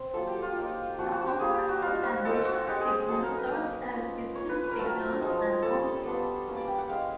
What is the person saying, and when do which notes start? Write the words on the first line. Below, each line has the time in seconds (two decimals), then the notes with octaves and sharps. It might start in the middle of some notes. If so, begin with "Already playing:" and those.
The automatic and visual signal served as distant signals and home signals.
Already playing: C4
0.13 F#3 A#3 D4 F4 A4
0.27 G4
0.42 F4
0.56 A#3 D#4
0.98 F3 A#3 D4 F#4
1.12 F#4
1.27 G4
1.40 G3 A#3 D4 F4 G#4
1.54 G4
1.69 F#4
1.82 G3 C4 D#4 F4
2.03 F#4
2.24 G#3 C4 F4 A4
2.45 F#4
2.67 G#3 C#4 E4 G4
2.81 G#4
2.95 G#4
3.08 F#3 A#3 D#4 A4
3.23 A#4
3.37 B4
3.52 A#3 D#4
3.93 A#3 C#4 F4
4.35 A#3 C#4 F4 C#5
4.49 B4
4.64 B4
4.71 A#4
4.78 F#3 A3 C4 F4 A4
4.86 A#4
5.19 F3 G#3 C4 D#4
5.62 G3 A#3 C#4 A4
6.05 G3 B3 D4 F4
6.47 G3 A#3 C#4 E4
6.57 D5
6.68 G5
6.78 F#5
6.89 G#3 C#4 E4 F5